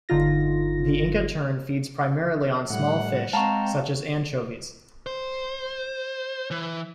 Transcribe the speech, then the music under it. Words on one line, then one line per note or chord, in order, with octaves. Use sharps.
The Inca tern feeds primarily on small fish, such as anchovies.
G1 D3 D#4 F4 A#6
A2 G3 A3 F#5
G#3 C4 F5 F#5 A5 A#5 C#6
C5
E3